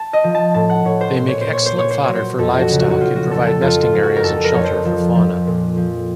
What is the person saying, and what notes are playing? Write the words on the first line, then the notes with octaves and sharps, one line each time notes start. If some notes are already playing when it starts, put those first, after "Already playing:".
They make excellent fodder for livestock and provide nesting areas and shelter for fauna.
Already playing: A5
D#5
F3
A5
A2 A5
F#5
A2 C#5
C5
A#2 C5
C#5
C5
A#2
C#5
C5
A#2 C#5
C5
F#3 C#5
C5
F2 A4
F#4
C#3
F#4
F#4
F3 F4
F#4
F2 A4
A4
F2 F4
F4
F2
F#4
A#4
F2 A4
A#4
F2 C#5
C5
F3
F3
A#2
F3